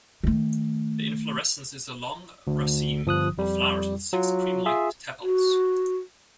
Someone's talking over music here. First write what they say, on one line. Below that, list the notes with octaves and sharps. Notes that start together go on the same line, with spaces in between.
The inflorescence is a long raceme of flowers with six cream-white tepals.
D#3 A3
D2
G1 F3 D#6 F#6
F2 G3
F#3 F4
F4 G#4 E5
F#4